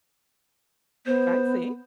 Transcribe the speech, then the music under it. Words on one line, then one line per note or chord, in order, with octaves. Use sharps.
I see.
B3 C5